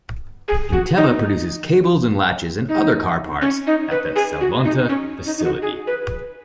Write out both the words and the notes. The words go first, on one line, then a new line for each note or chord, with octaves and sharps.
Inteva produces cables and latches and other car parts at the Salonta facility.
G#4
F#4
D#4
D#4
C#4
D#4
B4
G#4
F#4
D#4
C#4
D#4
D#4
F#4
G#4
B4